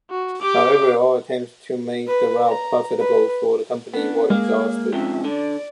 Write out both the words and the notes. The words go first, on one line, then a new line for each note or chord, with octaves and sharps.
However, all attempts to make the route profitable for the company were exhausted.
F#4
G4 D6
B4
A#5
B4
B3 C#4 D4
G#3 A#3 G#4
G#2 C3 F3 C#4 E5
D3 D5